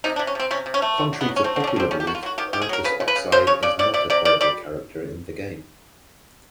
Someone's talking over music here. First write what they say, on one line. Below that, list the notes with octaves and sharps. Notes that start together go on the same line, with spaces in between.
Contrary to popular belief, Nitros Oxide is not a playable character in the game.
C3 D#4
D4
C3
C#4
C3 C4
C3 C#4
C3
C#4
A3
F#3
D3
B3
F#3
C#4
A3 C4
C4
D3 D4
C#4
D3 C4
D#3 C#4
G4
D#3 F#4
F4
F#3 F#4
D#3 G4
D#3 G4
G#4
F#3 A#4
C#3 B4
C#3
B4
C#3
C#3 C5
C#3 C#5
C#3 D5
C3 D5
C3 D5
C3 D5
D#3 D5
G3 D5